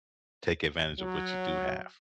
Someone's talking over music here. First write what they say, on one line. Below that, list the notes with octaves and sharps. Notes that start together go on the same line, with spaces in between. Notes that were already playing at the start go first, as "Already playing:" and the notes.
take advantage of what you do have.
F#3